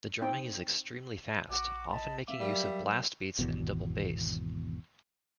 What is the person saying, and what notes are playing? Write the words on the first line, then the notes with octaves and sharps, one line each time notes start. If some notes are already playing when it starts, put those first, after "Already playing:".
The drumming is extremely fast, often making use of blast beats and double bass.
C4 D#4 G5
A#1 F#4 D6
D#5 A5 B5
C4 E5 F5 D6
F#3 G3 A#4 F5
G#1 E2 B2